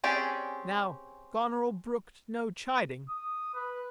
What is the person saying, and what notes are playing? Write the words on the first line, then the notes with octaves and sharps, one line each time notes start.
Now Goneril brooked no chiding.
C4 C#4 G4 G#4 D5
D#6
B4